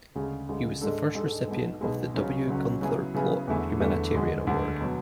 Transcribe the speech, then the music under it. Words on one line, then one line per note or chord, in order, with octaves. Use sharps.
He was the first recipient of the W. Gunther Plaut Humanitarian Award.
D2 C#3 G#3
D2 C#3 G#3
G#2 G#3 D4 A4
G#2 G#3 D4 A4
B1 B2 G#3
B1 B2 G#3
C#2 C#3 F#3 C#4
C#2 C#3 F#3 C#4
C#3 F#3 B3 E4 G#4
C#3 F#3 B3 E4 G#4
E2 D3 A3 E4 G#4
E2 D3 A3 E4 G#4
D2 D3 G#3
D2 D3 G#3
B2 F#3